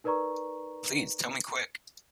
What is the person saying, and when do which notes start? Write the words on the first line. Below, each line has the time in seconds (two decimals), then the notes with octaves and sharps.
Please tell me quick!
0.04 D#4 A#4 B4 D5 A#5 C#6